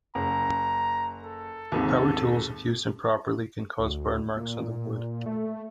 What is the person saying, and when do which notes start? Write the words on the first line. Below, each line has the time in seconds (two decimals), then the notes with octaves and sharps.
Power tools, if used improperly, can cause burn marks on the wood.
0.15 F#1 A#5
1.24 A4
1.72 D#2 G#2 C3
3.79 D2
4.37 A#2
5.26 A3